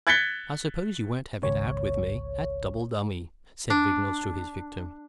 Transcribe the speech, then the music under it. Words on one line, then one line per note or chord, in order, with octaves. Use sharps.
"I suppose you won't have it out with me at double dummy?" said Vignolles to his victim.
F#6 G#6 A6 B6 C#7 G7
G#1 C#2 C#5
D4